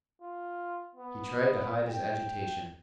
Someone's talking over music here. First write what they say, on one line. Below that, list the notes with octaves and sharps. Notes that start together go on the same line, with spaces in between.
He tried to hide his agitation.
F4
B3
G5